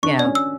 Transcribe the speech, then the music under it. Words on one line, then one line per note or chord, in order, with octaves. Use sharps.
you know,
D4 C#6
D5
C#4
E6